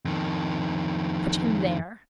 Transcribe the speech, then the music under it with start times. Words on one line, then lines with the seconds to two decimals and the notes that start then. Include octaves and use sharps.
"Put him there."
0.05 F2 D#3